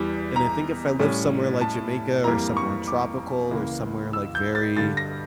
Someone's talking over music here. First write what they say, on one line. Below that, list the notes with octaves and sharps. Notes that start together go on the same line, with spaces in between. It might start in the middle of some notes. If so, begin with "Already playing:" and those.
and I think if I live somewhere like Jamaica or somewhere tropical or somewhere, like, very,
Already playing: E2 E3 G3
A#5
A2 G3 C#4
A5
F2 E3 G3 A#3 A#5
C#6
D6
C#2 C#3 E3 A#3
E6
G6
A6
G2 D3 G3 A6
A#6